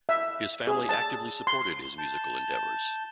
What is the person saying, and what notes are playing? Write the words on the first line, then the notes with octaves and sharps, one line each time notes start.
His family actively supported his musical endeavors.
E5
G#4
A5
C6
A5 G6